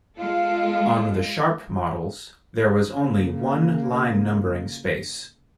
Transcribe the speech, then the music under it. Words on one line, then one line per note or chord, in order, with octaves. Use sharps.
On the Sharp models, there was only one line numbering space.
G#3 B3 F4 A4
C#3 A#3